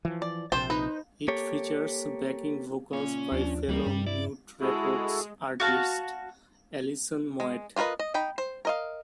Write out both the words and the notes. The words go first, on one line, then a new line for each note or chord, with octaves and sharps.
It features backing vocals by fellow Mute Records artist Alison Moyet.
E3 F3
D5
A#1 C3 C5 G5 A5
D#4 B4
A#3 G4 A4 C#5
A#2 C#3 C#4
D#2 F3 D4
D2 E3 G3 A3 A#3
C2 G2
E4 D5
G#3 E4 F#4 A4
F#4 F5 A5
G#3
D4 F4 A#4 B4 D#5
D#5
D#4 G5 B5
C5
A#4 D#5 F5